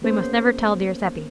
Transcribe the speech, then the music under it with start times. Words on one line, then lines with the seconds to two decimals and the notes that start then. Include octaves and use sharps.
We must never tell dear Seppy.
0.02 A#3 B3 C#4 G#4 C5